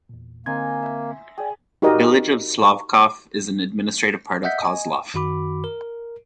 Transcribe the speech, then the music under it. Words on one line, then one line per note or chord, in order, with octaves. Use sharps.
Village of Slavkov is an administrative part of Kozlov.
E2 A#2
D3 A#3 C4 D#4 G#5 C6 G#6
E5
G#4 D5 G5
D#4 F#4 G4 A#4 D#5
D#5 E5 F#5 G6 B6
D#5 G#5
F#2 D#3 F#4 B5 D6
A#4